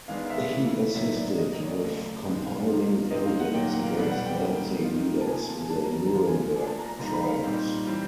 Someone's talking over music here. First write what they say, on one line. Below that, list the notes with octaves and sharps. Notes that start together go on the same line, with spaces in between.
He assisted with compiling evidence against Nazi leaders in the Nuremberg trials.
D#3 G#3 B3 D4 F5
F5
E5
C#3 E3 A3
A2 F#3 B3 D#4 E5
D5
D#3 F#3 A#3 D4 D#5
D#5
C#5
D5
C#3 F#3 A3 D4
B2 G#3 C4 D#4 D#5
F5
C3 F3 A#3 D#4
C3 E3 G3 C4 D#5
F5
F#5
A#2 F#3 A#3 D#4 G5
F#5
F5
B2 G3 B3 D4 F#5
F#5
G5
D#3 G3 A#3
F3 A#3 D#4
A5
C3 F3 A#3 G#5
G#5
A5
G#5
D#3 G3 B3 D4 A5
A#5
A#5
D3 F3 A#3 D4 A5
G#5
F3 A#3 D4 G#5
A5
A#5
A#5
D3 G3 A#3 D#4 A#5
B5
F5
A#2 G3 C4 D#4
E3 G3 C4